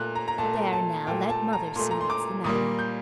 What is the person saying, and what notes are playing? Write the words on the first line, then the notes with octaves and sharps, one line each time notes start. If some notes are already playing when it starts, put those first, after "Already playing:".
"There now, let mother see what's the matter."
Already playing: A#2 A3 F#6
A#5
A#5
A#2 A3 A5
A5
A#2 A3 G5
A5
A#5
A#2 A3 C6
A#5
C6
D6
A#2 G3 A#3 D#6
G6